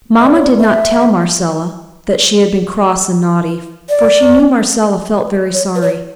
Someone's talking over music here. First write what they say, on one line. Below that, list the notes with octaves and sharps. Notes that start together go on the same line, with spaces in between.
Mamma did not tell Marcella that she had been cross and naughty for she knew Marcella felt very sorry.
E5
D5
C#5
D5
E5
D5
C#5
B4
C#5